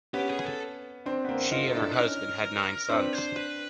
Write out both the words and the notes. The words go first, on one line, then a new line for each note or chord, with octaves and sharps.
She and her husband had nine sons.
B3 C#4 G4
G#4
A4
C4 D4
B3
A#3 C4
D#4 F4 A#4
A4
D4 E4
A4
B4
C#4 D#4 A#4
C4 D4 B4
C5
B4